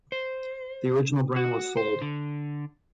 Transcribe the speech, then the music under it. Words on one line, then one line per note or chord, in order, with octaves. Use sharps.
The original brand was sold.
C5
F#4
C5
D3